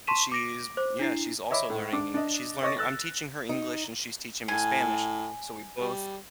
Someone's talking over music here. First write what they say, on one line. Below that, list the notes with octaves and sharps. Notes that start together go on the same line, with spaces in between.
She's yeah, she's also learning En she's learning I'm teaching her English and she's teaching me Spanish, so we both
A5 C6 C#6 B6 D#7 E7
D6 A#6 D7
C5 D6
D4 E4 C7
C#5 D#5 E5 B5 D6
A2
D4 D6
D4 D#5
C#5 D#5 C#6 D6 A6 A#6
E6 F#6 A6
D#4
A2 G#5
G3